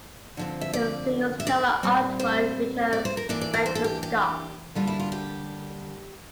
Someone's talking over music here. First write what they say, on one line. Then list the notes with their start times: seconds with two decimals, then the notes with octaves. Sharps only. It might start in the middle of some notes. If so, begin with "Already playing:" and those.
The single's cover artwork featured Bekonscot.
0.37 D3 F3 C4
0.61 E5
0.73 D5
1.40 E5
1.47 D5
1.83 A#2 G3 C4
2.19 C5
2.93 D5
3.05 C5
3.17 A#4
3.29 E3 A#3 D4 D5
3.41 D5
3.53 A#4
3.66 C5
3.75 A4
3.84 G4
4.03 G4
4.75 D3 G3 A#3 D4 F4
4.87 E4
4.99 F4
5.12 G4